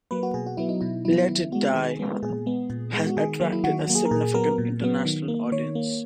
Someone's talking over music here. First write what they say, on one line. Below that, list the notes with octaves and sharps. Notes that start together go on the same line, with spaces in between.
"Let It Die" has attracted a significant international audience.
F#3 A#3 B4
F#4
B2 G#4
F#4
F#3 B3 E4
D#4
B2 E4
F#3 B3 E4
D#3 E4
G#3 B3 F#4
D#3 G#4
G#3 B3
A#2 G#4
G#3 B3
A#2
G#3 B3
F#4
D#3 G#4
F#3 A#3
E4
D#3 F#4
F#4
F#3 A#3
G#4
A#4
A#2 G#4
F#3 B3 A#4
A#2
F#3 B3
D#3
A#3
D#3 C#5
A#3